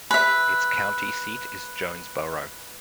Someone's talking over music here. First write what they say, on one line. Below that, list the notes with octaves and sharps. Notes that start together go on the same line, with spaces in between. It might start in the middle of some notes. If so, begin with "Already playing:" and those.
Its county seat is Jonesboro.
B4 E5